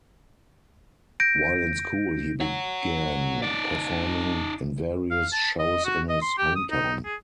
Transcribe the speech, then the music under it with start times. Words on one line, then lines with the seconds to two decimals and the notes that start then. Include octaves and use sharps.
While in school he began performing in various shows in his home town.
1.20 G6 A#6 D7
2.40 C#5 F#5
3.42 D#4 D5
5.11 F5
5.32 A5
5.59 D#5
5.85 F#4
6.09 D#5
6.22 C6
6.38 G4
6.56 D#6
6.71 D#4
7.05 G#4